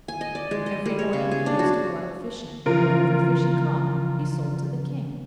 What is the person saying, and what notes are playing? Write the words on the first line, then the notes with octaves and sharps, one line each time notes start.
Every morning he used to go out fishing, and whatever fish he caught he sold to the King.
G#5
D#5
D5
G#3
D#5
G3
C#5
C#3
G#4
D4
F#4
C#3 E3 F3 F4 A#4